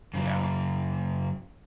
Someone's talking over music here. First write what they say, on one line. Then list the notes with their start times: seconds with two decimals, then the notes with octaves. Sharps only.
You know?
0.14 F#2 C#3